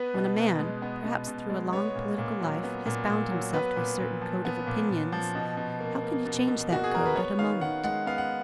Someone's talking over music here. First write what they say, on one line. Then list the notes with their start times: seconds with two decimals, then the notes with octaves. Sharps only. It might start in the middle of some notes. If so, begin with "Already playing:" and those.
When a man, perhaps through a long political life, has bound himself to a certain code of opinions, how can he change that code at a moment?
Already playing: B3 B4
0.14 B2
0.36 B2
0.59 G#3
0.82 B3
1.04 B2
1.27 B2
1.50 G#3
1.73 B3 C#5
1.95 A#2
2.18 A#2
2.40 F#3
2.64 B3
2.86 A#2
3.08 A#2
3.31 F#3
3.54 B3 B4
3.76 A#2
3.99 A#2
4.22 F3
4.45 B3
4.67 A#2
4.90 A#2
5.12 F3
5.35 B2
5.57 B2
5.80 A#3
6.03 A#3
6.26 B2
6.48 B2
6.71 A#3 F#4
6.84 G#4
6.94 A#3 A#4
7.06 B4
7.16 B3 C#5
7.39 D#3 F5
7.61 D#3 F#5
7.84 G#3 F#5
8.06 B3 F5
8.18 F#5